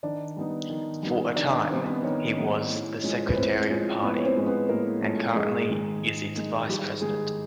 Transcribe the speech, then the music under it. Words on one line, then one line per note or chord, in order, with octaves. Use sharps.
For a time he was the secretary of party, and currently is its vice-president.
D#3 D4 D5
G3 B3 D#4
D#3
G3 B3 D#4
D#3 D4 D5
D4 D5
G3 B3 C4 D#4 C5
B3 B4
D#3 C#4 C#5
G3 B3 D#4
A2
F3 G#3 C#4
B4
A2 C4 C5
F3 G#3 C#4
A2 B3 B4
C#5
C4 C5
F3 G#3 C#4
B3 B4
A2 A#3 A#4
F3 G#3 A3 C#4 A4
G#2 G#3 G#4
D#3 G#3
G#2
D#3 G#3
G#2 G3 G4
D#3 G#3 G#4